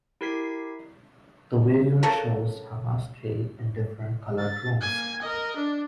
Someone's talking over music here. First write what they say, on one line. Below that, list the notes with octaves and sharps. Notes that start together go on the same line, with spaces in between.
The video shows Hamasaki in different colored rooms.
E4 G4 A#4 G#6 B6 C7
C#3 A4 A#4
A6
A#3 G#5
A#4 D#5
D4